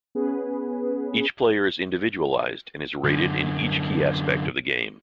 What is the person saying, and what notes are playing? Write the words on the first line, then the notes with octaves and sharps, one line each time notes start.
Each player is individualized, and is rated in each key aspect of the game.
B3 C#4 G#4 B4
F#2 D3